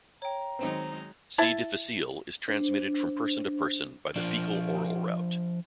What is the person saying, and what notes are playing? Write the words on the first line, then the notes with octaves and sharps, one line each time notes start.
"C. difficile" is transmitted from person to person by the fecal-oral route.
C#5 G5 A#5
D#3 F#3 G#3 C4 D#4
E4 A5
D4 C5
F3 D4